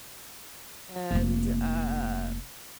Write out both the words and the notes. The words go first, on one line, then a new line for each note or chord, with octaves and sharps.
And, uh,
F1 A#3